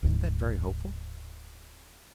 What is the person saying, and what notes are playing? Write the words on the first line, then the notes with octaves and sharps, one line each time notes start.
"Isn't that very hopeful?"
D1 D2 G#2